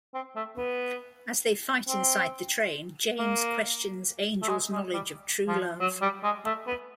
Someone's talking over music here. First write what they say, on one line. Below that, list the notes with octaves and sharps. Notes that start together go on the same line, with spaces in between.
As they fight inside the train, James questions Angel's knowledge of true love.
C4
A3
B3
C4
A#3
A3
G#3
G#3
G3
F3
F#3
G3
G#3
A3
B3